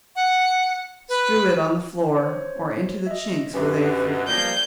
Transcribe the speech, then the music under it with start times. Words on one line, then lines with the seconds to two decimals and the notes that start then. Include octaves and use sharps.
Strew it on the floor, or into the chinks where they frequent.
0.16 F#5
1.09 B4
2.18 C5 C#5
3.07 D#5 E5
3.54 B1 F#2 C#4 G4 B4 E5
4.28 F3 G3 A#3 D5 G6 G#6